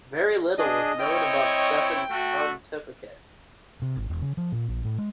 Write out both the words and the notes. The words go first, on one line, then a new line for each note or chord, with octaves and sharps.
Very little is known about Stephen's pontificate.
D4 G#4 D#5
C4 E4 C#5 G5
A3 F#4
C3
G#1
E1
C#3
F3
A#2
A#1
A2
G#3